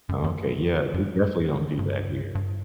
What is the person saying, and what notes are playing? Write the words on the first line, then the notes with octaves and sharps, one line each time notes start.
Oh, okay. Yeah. We definitely don't do that here.
F#2
F#2
F#2
G2
G2